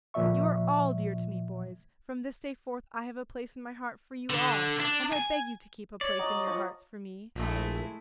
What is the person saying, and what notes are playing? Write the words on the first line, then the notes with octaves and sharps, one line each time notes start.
You are all dear to me, boys, from this day forth, I have a place in my heart for you all, and I beg you to keep a place in your hearts for me!
D2 A#2 F3 D5 E5 C#6
D3
D4
G#5
C#5 D5
F#3 D#5
F3 C#5
A#1 G#3 A3 E4